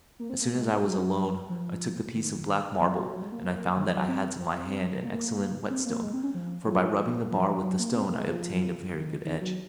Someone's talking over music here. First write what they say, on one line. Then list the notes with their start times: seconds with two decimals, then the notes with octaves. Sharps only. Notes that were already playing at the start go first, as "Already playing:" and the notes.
As soon as I was alone, I took the piece of black marble, and I found that I had to my hand an excellent whetstone; for by rubbing the bar with the stone I obtained a very good edge.
0.19 A#3
0.30 C4
0.41 A#3
0.52 G#3
0.84 F#3
1.49 F3
2.14 D#3
2.78 F3
2.95 F#3
3.11 F#3
3.22 G#3
3.32 A#3
3.44 A#3
3.76 D#3
3.87 F3
3.97 F#3
4.08 C4
4.39 C4
5.04 A#3
5.70 C4
5.85 A#3
6.02 G#3
6.13 C4
6.23 C#4
6.34 F3
6.66 F3
7.31 F3
7.63 F#3
7.79 A#3
7.92 A#3
7.96 C4
8.07 A#3
8.18 G#3
8.29 F3
8.93 D#3
9.25 D#3
9.41 F#3